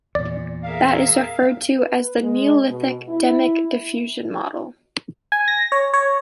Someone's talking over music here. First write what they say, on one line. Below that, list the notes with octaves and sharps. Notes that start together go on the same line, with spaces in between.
That is referred to as the Neolithic demic diffusion model.
E2 A#2 D5
G#4 A#4 E5 F5
B4
G#3
B2
E4
G#5
A#6
C#5
C#5